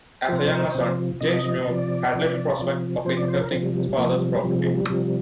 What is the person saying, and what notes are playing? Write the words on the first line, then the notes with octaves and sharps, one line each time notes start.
As a younger son James Muir had little prospect of inheriting his father's property.
D5
C3 F3 C5
C3 F3
C3 F3 D#5
D#5
C3 F3 D5
C3 F3
C3 F3
C3 F3 C5
D5
C5
A#4
C3 F3 C4
G3
G3
G3
C3 F3 A#3
G3
G3
C3 F3 G3
G#3
G3
C3 F3 G3